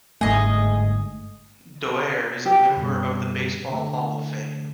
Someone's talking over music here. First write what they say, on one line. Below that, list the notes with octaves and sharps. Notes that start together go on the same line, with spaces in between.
Doerr is a member of the Baseball Hall of Fame.
G1 G#2 A3 G#4 D#5
G4
F#2 B2 G3
D3 A3 A4